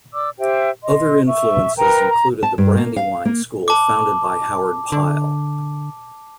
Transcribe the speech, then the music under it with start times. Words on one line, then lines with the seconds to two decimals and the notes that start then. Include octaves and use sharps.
Other influences included the Brandywine School founded by Howard Pyle.
0.13 D5 D6 E6
0.39 G4 C5 E5 G5
0.84 D#5 C6
1.27 E5 C#6
1.78 A#4 B4 G5 A#5
2.09 A#5
2.43 A5
2.58 G2
2.77 A#3
2.96 F5
3.25 A#3
3.68 A5 D6
4.92 D3